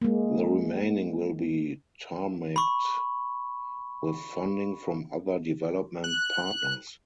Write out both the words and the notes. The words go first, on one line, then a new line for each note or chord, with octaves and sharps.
The remaining will be tarmacked with funding from other development partners.
G#3 A#3
B5 C#6
F#6